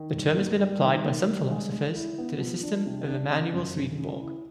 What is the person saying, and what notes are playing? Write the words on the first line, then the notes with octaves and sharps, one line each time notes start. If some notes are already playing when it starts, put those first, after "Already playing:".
The term has been applied by some philosophers to the system of Emanuel Swedenborg.
Already playing: D#3
G2
A#3
G3
D#3
A#3
G3
G#3
G#3
E4
B3
F3
D4
C3
D4
C#3
F#2
C#3
C#3
E4